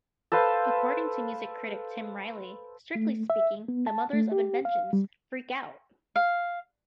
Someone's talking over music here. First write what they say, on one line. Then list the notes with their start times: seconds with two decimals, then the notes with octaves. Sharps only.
According to music critic Tim Riley, "Strictly speaking, the Mothers of Invention's "Freak Out!
0.32 A4 B4 C5 F5
2.95 A3
3.30 E5
3.68 B3
3.87 A5
4.13 A3
4.32 G4
4.65 F5
4.93 G3
6.16 F5